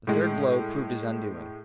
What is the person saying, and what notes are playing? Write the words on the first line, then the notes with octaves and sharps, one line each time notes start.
The third blow proved his undoing.
A2 G#3